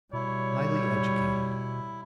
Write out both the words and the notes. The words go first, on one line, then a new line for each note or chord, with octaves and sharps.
Highly educated.
B2 G3 E4 C#5